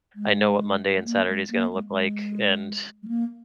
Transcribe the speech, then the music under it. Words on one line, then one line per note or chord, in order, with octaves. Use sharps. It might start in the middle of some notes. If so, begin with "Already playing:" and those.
I know what Monday and Saturday is gonna look like, and
G#3
G#3
A#3
G#3
A#3
G#3
G#3
G#3
A#3